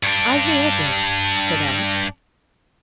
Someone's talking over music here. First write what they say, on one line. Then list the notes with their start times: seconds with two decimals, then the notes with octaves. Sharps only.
"I hear Edward," said Alice.
0.03 G2 D4